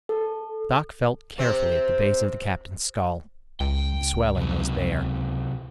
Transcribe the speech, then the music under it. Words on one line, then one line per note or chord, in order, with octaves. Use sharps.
Doc felt carefully at the base of the Captain's skull; the swelling was there.
A4
C3 C4
C#2 G5
C3 F#3